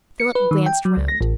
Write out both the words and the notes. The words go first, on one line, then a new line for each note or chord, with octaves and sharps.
Philip glanced round.
C#7
B4
D#3
G5
F#3
C#2
A#6
A1